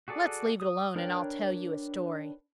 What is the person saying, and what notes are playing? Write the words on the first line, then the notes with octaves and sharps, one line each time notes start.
Let's leave it alone and I'll tell you a story.
F#4 G#4 A4 D5
D#6
D4 A#4 B4 C#5 G5